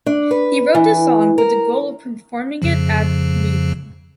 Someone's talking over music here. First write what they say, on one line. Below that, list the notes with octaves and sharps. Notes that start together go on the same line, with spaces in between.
He wrote the song with the goal of performing it at Reading.
D4
B4
E3
A#4
F2 C#3 F3